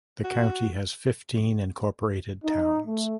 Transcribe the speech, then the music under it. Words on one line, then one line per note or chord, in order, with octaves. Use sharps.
The county has fifteen incorporated towns.
F#4
D#4
A3